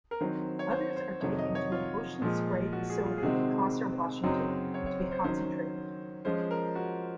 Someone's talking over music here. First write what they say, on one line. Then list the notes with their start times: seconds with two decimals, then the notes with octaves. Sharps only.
Others are taken to an Ocean Spray facility in Prosser, Washington, to be concentrated.
0.11 A#4
0.20 D#3 F#3 C4 C5
0.59 C#5
0.71 C5
0.96 C5
1.21 F2 C3 D#3 F#3 C#5
1.39 D#5
1.55 C#5
1.72 F4
2.22 A#2 F3 G#3
2.73 F#4
2.90 G#4
3.06 F4
3.18 G#4
3.23 C3 D#3 G#3 C4 F#4
4.23 F#2 C#3 F#3 C4 D#4
4.74 C#5
4.86 C#5
4.99 C5
5.11 C5
5.24 D#3 F#3 C#4 C5
6.25 F3 G#3 C#4 F4 C5
6.51 A#4
6.75 F#4